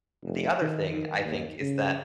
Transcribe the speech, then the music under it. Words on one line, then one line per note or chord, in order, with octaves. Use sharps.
The other thing I think is that
F1
D#3
D#3
D#2
C#3